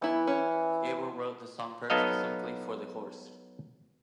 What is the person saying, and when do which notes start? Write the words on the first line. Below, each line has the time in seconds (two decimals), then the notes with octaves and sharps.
Gabriel wrote the song specifically for the horse.
0.02 E3 B3 E4
0.27 C#4
1.90 F#3 B3 D#4 A4 D#5 F5